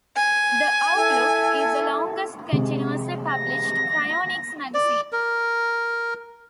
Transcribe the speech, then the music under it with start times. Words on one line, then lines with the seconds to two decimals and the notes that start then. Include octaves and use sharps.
"The Outlook" is the longest continuously published cryonics magazine.
0.15 G#5
0.94 E4 A4
2.52 C3 G#3
3.27 A#6
4.74 D5
5.12 A#4